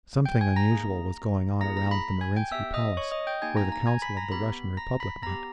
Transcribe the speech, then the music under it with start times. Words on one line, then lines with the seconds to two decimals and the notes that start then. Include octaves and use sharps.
Something unusual was going on around the Marinsky Palace, where the Council of the Russian Republic met.
0.25 G5 G6
0.41 G#5 G#6
0.56 A#5 A#6
0.71 A#3 D#4 G#4
1.61 A#3 E4 G#4 A#5 A#6
1.77 A#5 A#6
1.91 B5 B6
2.21 G#5 G#6
2.36 G5 G6
2.51 B3 G4 E5 E6
2.74 D#5 D#6
2.97 C#5 C#6
3.11 D#5 D#6
3.27 G5 G6
3.42 A#3 D#4 G4 G#5 G#6
3.56 A#5 A#6
3.72 A#5 A#6
3.87 G#5 G#6
4.02 B5 B6
4.17 A#5 A#6
4.32 B3 G4 B5 B6
4.77 A#5 A#6
5.00 B5 B6
5.22 B3 G4 A#5 A#6